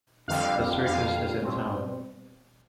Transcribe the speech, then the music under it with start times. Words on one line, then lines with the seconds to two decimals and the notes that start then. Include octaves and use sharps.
The circus is in town!.
0.28 F2 D3 G3 F5
0.85 F2 D3 G3 F5
1.42 B2 G3 C4